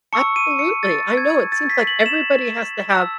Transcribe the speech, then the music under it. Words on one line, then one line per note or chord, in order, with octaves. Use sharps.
Absolutely. I know, it seems like everybody has to have,
A5 C#6 E6 C#7
D#7
C#7
A6
G#6
A6
B6
F#7
E7
A5 E6